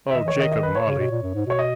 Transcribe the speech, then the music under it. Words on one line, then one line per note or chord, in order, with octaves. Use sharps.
O Jacob Marley!
E5
D#3 D#5
E3 C#5
D#3
D#5
D#5
B4
C#5
C#3
B2
A#2
F#2
G#2
B2 C#5
D#5